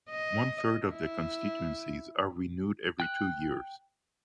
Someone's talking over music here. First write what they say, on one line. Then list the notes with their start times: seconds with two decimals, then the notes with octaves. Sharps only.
One-third of the constituencies are renewed every two years.
0.10 D#5
0.92 E4
3.00 G5 F#6